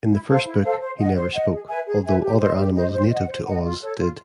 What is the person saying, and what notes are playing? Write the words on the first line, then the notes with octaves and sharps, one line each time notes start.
In the first book, he never spoke, although other animals, native to Oz, did.
E4
A4 C5 F5
E4
A4 C5 F5
C5
D#5 F#5
C5
D#5 F#5
G#4
B4 E5 G#5
G#4
B4 E5 G#5
G4
C5 D#5
G4
C5 D#5
C5
D#5 F#5
C5
D#5 F#5
F4
A4 C#5
F4